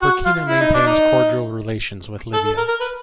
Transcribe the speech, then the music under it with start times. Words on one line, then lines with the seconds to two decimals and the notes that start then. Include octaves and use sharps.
Burkina maintains cordial relations with Libya.
0.02 F#4
0.25 F4
0.49 E4
0.61 D#4
0.74 D4
0.87 D#4
2.34 A4
2.45 A4
2.58 A#4
2.68 A#4
2.81 B4